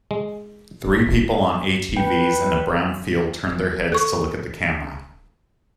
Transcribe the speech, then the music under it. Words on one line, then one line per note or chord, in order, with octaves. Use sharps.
Three people on ATVs in a brown field turn their heads to look at the camera.
G#3
B4 G5
A4 C#6